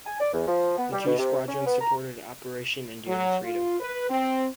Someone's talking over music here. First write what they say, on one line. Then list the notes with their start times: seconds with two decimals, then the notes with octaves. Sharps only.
The two squadrons supported Operation Enduring Freedom.
0.06 G#5
0.20 D5
0.33 E2
0.48 F3
0.77 B3
0.92 G3
1.06 B2
1.18 C3
1.48 C#4
1.66 B3
1.81 A#5
3.06 F#3
3.44 F4
3.80 B4
4.10 C4